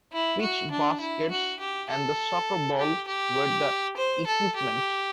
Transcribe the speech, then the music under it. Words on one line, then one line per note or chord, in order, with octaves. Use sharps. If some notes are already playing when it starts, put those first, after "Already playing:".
Peach baskets and the soccer ball were the equipment.
E4
F#4
D4
E4
F#4
G4
A4
G4
G4
C5
A4
G4